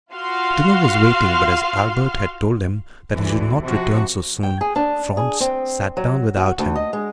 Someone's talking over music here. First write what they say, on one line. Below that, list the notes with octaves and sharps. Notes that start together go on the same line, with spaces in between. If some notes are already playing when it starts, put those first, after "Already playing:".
Dinner was waiting, but as Albert had told him that he should not return so soon, Franz sat down without him.
F4 F#4 F5 C6 F6
D2 E3
C3 F3 F#4
G5
G#4
D4
G#4
C4
F#3
F#4
D2
D#5
G#3